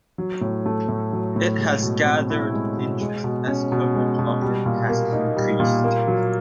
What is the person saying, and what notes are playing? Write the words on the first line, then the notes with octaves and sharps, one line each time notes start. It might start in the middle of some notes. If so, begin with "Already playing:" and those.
It has gathered interest as coverage of it has increased.
F#3
A2
A3
A2
F#3
A2
G#3
B2
C4
E4
G#3
B2
G#3
B2
C#4
B2
G#3
B2
G3
A#2
A#3
D#4
G3
A#2
A#3
F#3